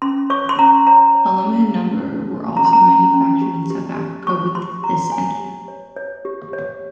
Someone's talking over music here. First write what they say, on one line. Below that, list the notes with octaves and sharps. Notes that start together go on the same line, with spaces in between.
A limited number were also manufactured in South Africa with this engine.
C#4 C6
C#5 C#6
C6
C#4 A#5
C#5 A#5
C#5
C#4
G#4
C#4
G#4
C#4 A#5
C6
A#5
C#4
C#4
G4
G4
G4
G4 C#6
G4 C6
G4 A#5
C#5 G#5
G4
C#5
C#5
G4
C#5